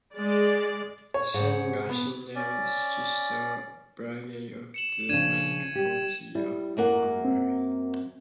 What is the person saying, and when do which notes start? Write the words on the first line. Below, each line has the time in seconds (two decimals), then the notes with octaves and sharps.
San Agustin now is just a barangay of the Municipality of Aroroy.
0.16 G#3 D5
1.14 C#5
1.34 G#2 F#5
1.90 B3
2.35 C#4 D5
4.74 C#7 E7 F#7
5.09 C#3 F3 D4 G#6 D#7 E7
5.75 G3 G4
6.35 G3 E4
6.77 F#2 A#3 F#5
7.25 C4